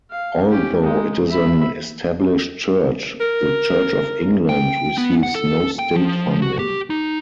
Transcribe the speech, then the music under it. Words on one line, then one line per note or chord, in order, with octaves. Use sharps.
Although it is an established church, the Church of England receives no state funding.
F5
C#4 G4
G#3 D#4
E5 B5
A#4
G5
B3
F#5
A4
G5
F3
F#4
G4
D#4